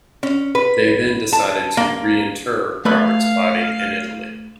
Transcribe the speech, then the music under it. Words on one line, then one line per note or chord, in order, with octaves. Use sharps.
They then decided to re-inter Robert's body in Italy.
C#4
B4
A5
A#3
A3 B4 F5 B5